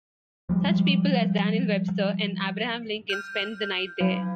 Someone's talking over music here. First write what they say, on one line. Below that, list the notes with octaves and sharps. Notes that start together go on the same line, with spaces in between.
Such people as Daniel Webster and Abraham Lincoln spent the night there.
F3 G3 G#3
F6 G6
F#3